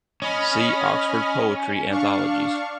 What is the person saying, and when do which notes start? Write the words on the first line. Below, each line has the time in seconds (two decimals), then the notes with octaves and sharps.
See Oxford poetry anthologies.
0.22 C#4 D#5 B5 F6
1.91 D4 F5 C#6